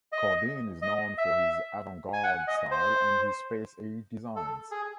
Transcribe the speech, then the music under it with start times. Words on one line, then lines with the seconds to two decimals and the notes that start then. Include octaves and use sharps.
Cardin is known for his avant-garde style and his Space Age designs.
0.12 D#5
0.82 D#5
1.18 E5
2.13 G#5
2.23 F#5
2.47 D#5
2.71 C5
4.36 A4
4.71 G#4